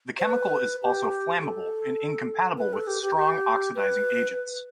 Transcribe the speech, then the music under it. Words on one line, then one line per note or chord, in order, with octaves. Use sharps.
The chemical is also flammable and incompatible with strong oxidizing agents.
C5
B4
G4
A4
B4
A4
G4
G4
G4
B4